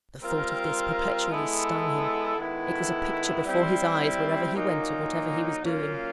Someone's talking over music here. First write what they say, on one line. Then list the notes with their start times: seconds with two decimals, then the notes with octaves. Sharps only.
The thought of this perpetually stung him; it was a picture before his eyes, wherever he went and whatever he was doing.
0.22 G3 C4 F4 A#4
1.29 G#3 B3 E4 A4
2.37 D#3 G#3 B3 E4 A4
3.45 G3 C4 E4
4.53 A#2 F#3 A#3 D#4
5.61 A#2 F#3 A#3 C#4 F4